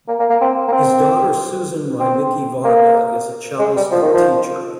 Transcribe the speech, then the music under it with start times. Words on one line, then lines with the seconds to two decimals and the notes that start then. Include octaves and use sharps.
His daughter Susan Rybicki-Varga is a cellist and teacher.
0.08 A#3
0.20 A#3
0.30 A#3
0.41 C4
0.68 A#3
0.72 C4
2.00 C4
2.64 A#3
3.59 G#3
3.76 G3
3.92 F3
4.02 D#3
4.14 F3